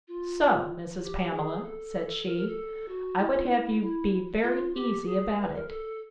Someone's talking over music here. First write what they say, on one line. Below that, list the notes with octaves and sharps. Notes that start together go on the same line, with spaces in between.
So, Mrs. Pamela, said she, I would have you be very easy about it.
F4
G4
G#4
A4
A#4
A#4
A4
F#4
E4
F4
E4
E4
F4
G4
G#4
B4
A#4
A4